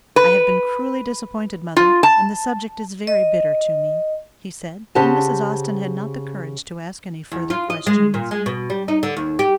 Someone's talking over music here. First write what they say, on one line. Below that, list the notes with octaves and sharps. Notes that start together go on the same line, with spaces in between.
"I have been cruelly disappointed, mother, and the subject is very bitter to me," he said; and Mrs. Austin had not the courage to ask any further questions.
B4
F4
A5
D#5
C#3 G4 C5 F#5 A5
E2
F4
D#5
G#3
A#2
G#3
B2
G3
D#4
D3
D#2
G4